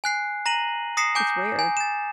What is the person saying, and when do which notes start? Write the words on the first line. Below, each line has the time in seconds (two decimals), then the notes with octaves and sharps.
It's rare.
0.04 G#5 F#6 C7
0.46 A#5 A#6 D#7 F#7
0.97 D#6 A#6 C7 C#7 E7
1.15 G#5 D6 G6
1.59 G#5
1.77 A6 E7